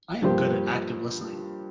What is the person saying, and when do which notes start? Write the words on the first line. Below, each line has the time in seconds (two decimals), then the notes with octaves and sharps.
I am good at active listening.
0.22 G2 F3 A#3 G4 C5